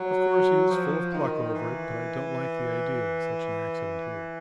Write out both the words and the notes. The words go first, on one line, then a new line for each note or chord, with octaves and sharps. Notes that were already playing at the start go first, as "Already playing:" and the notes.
Of course, he is full of pluck over it, but I don't like the idea of such an accident here.
Already playing: F#3
F3
D#3
E3